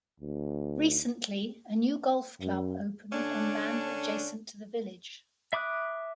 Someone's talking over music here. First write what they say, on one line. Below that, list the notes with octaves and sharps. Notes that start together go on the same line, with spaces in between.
Recently a new golf club opened on land adjacent to the village.
D2
F#2
D3 C#4 D4
E5 B5 D6 D#6 F#6